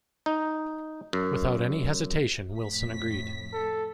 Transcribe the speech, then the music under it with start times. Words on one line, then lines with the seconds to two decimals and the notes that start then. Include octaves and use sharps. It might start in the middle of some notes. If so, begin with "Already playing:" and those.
Without any hesitation Wilson agreed.
0.26 D#4
1.13 F#2
2.56 F2 A2 B6
3.53 A4